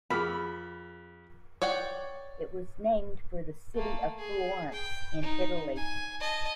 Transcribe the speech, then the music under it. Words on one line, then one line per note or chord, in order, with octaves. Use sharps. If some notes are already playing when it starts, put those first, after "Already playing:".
It was named for the city of Florence in Italy.
F2 G#4 A#4 B5 F6
C#5 D5 F#5 G5
A3 A#3
G#4
G5
D#4
G#5
D#5 A5